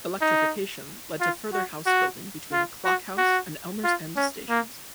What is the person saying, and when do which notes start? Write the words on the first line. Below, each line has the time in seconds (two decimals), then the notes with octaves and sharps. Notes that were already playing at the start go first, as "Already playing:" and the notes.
Electrification led to further house building between Clock House and Elmers End stations.
0.21 D#4
1.20 F4
1.53 F#4
1.86 F#4
2.52 F4
2.85 F#4
3.18 F#4
3.84 F4
4.16 C#4
4.50 A#3